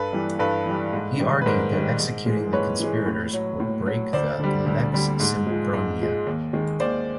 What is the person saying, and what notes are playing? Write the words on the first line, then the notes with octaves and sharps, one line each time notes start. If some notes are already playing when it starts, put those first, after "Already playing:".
He argued that executing the conspirators would break the "lex Sempronia".
Already playing: G2 A4 B4
E3 G3
G2 A4 B4
E3 G3
G#2
D#3 G3
B4
G#2 A#4 C5
D#3 G3
G#2
E3 G#3
G#2 B4 C#5
E3 G#3
A2
F#3
A2
F#3
D2 C5 D5
D3 G3
D2
D3 G3
G#2
F3 G#3
G#2
F3 G#3
D#2
D#3 G#3
D#2 C5 D5